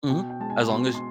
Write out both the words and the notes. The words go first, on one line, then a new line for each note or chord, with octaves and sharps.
Mhm, as long as y
B2 G5
G5
G#3 A5
G#5
B2 C6
C6